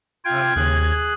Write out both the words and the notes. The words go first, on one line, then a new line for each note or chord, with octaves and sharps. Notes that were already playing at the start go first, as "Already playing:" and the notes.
Oh no.
F4 G5 G#6
D#2 G#4 F#6